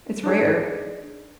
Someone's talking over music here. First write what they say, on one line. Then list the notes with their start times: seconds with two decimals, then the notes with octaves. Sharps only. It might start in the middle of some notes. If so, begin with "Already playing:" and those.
It's rare.
0.23 D4 D#4 G#4